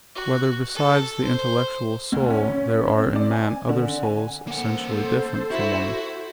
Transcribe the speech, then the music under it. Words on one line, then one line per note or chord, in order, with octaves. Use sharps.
Whether Besides the Intellectual Soul There Are in Man Other Souls Essentially Different from One Another?
F#4
A4
C5
D2
C#4
D4
C4
D5
G#5
D3
G#5
A#3 A4 C5 F#5
E4 F#4